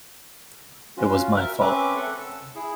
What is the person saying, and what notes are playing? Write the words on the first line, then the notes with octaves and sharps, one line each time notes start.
It was my fault.
C#4 F4 F#4
A#4 E5
C4 C#4 B4 E5 D6
A4 F#5
E6
E4 G#4